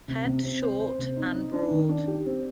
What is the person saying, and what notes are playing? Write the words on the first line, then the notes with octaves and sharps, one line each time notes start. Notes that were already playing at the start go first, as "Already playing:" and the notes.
Head short and broad.
C3
C3
C4
C5
C5
C3
D#4
D#4
D4
D#3
D4
G4
C4